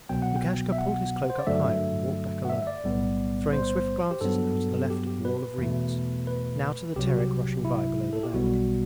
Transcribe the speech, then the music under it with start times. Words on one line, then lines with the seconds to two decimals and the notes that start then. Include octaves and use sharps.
Lukashka pulled his cloak up higher and walked back alone, throwing swift glances now to the left at the wall of reeds, now to the Terek rushing by below the bank.
0.09 C2 B2 F#3 B3 G5
0.22 F#5
0.36 G5
0.72 E5
0.78 F#5
1.30 C5
1.39 D5
1.47 G2 D3 F#3 A3 E5
2.45 F#5
2.50 E5
2.62 E5
2.67 D5
2.84 B1 A2 G3 B3
3.53 C5
4.11 G4
4.21 G2 F#3 B3 A4
4.90 G4
5.07 G4
5.25 B4
5.58 E2 B2 A3
6.27 B4
6.96 C2 C3 F#3 G4
7.07 F#4
7.19 G4
7.65 E4
8.13 A4
8.23 G4
8.33 B1 B2 G3 B3 F#4